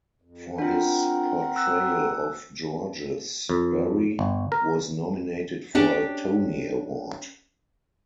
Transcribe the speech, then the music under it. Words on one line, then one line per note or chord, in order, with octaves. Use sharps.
For his portrayal of Georges, Barry was nominated for a Tony Award.
F2
C4 D4 F4 A#4 F#5
E6 F#6
F2
G1
A#4
C#4 D4 G4